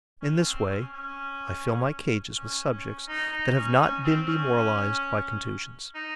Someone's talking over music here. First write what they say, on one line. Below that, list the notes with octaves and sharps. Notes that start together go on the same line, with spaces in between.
In this way, I fill my cages with subjects that have not been demoralized by contusions.
C#4
C4
C#4
C#4
C#4
C#4
D#4
D#4
C#4
C#4
C4
C#4
D#4